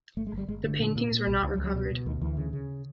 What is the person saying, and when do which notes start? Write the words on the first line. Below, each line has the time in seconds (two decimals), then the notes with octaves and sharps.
The paintings were not recovered.
0.17 G1 A3
0.27 G#3
0.33 G1 G3
0.48 G1 G#3
0.64 D3 A3
0.80 A#2 A#3
0.96 A#2 A#3
1.11 A#2
1.27 B1
1.42 C#2
1.54 F#3
1.58 C#2
1.64 F#3
1.74 B2
1.90 B2
2.06 D2 D#3
2.21 D2 E3
2.37 C#3
2.53 C#3